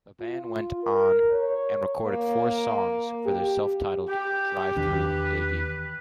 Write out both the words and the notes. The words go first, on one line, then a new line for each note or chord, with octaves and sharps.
The band went on and recorded four songs for their self-titled Drive-Thru debut.
F4
A#4
C#5
A#3
G4
G4 G5
E2 D#3 D4 B4